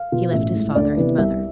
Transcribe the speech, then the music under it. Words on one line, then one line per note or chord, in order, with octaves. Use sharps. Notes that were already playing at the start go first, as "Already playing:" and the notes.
He left his father and mother.
Already playing: F5
B2 B3 F4
A1 E5
A2 G#3
D2 D5
C3 E3 B3
C2 E5